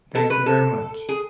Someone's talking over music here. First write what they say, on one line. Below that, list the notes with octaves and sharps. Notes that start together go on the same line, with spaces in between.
Thank you very much.
A4
B4
A4
G#4